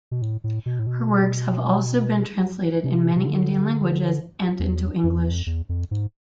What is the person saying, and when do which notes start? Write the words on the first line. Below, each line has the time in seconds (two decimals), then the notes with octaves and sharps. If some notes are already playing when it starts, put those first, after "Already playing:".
Her works havealso been translated in many Indian languages, and into English.
0.11 B2
0.22 A2
0.44 A2
0.66 B2
0.79 A2
0.87 B2
2.84 C3
3.16 C3
3.27 D3
4.59 E2
5.04 F2
5.16 E2
5.30 F2
5.46 E2
5.69 F2
5.91 G#2